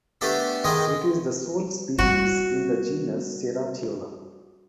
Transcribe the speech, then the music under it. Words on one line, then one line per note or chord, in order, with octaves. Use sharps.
It is the sole species in the genus Ceratiola.
A3 B3 D4 G4 A4
G#2 D#3 G#3 D#5 G5
G3 F#4